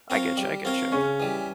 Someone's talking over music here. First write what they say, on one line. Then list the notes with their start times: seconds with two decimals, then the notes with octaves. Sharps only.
I get you, I get you.
0.10 C4 F4 A#4 C#5
0.37 G3
0.65 C4 F4 A#4 C#5
0.92 C#3 C#4
1.20 E3 G3